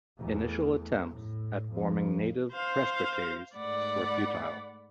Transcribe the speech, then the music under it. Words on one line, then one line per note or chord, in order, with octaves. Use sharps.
Initial attempts at forming native Presbyteries were futile.
E2 A3
A2
F2
C5 F5
G#2 A3 D5 F#5 B5